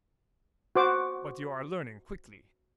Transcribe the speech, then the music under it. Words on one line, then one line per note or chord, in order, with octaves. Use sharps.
"But you are learning quickly."
F#4 C5 D6